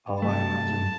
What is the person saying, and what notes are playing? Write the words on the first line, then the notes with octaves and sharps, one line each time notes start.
Oh, I imagine.
C3 F#3 A3 A5